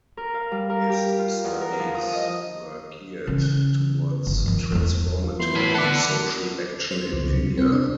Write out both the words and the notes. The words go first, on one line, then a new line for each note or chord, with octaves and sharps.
His studies were geared towards transformative social action in India.
A#4
F5
G3
A#4
G4
F4
E2
A#4
F3
D#6
D#5
C#3 E3
G1
D#3 F3
E2 A3
F3
E3 B3 C6
A2 B5
A4 D5 F#5
C5
C#2
C3
C4
D4